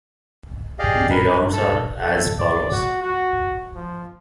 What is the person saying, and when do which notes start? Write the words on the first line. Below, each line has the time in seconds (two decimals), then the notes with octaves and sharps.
The rounds are as follows.
0.79 G4 G#4 D5 D#5 F5
1.10 A#4 B4
1.53 A4
2.01 A4
2.39 D5
2.72 F#4
3.02 F#4
3.75 F3